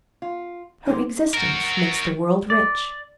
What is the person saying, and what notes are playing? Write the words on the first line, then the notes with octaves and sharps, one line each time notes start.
Her existence makes the world rich.
F4
C3 G#3 A#3 D#4
F#4 A#4
D5